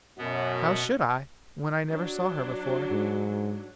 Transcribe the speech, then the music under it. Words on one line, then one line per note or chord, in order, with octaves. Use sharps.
"How should I, when I never saw her before?"
F#2 B2 B3
F#3 D4
G#2